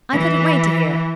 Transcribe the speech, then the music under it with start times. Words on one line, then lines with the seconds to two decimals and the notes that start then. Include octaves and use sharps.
'I couldn't wait to hear.
0.12 E3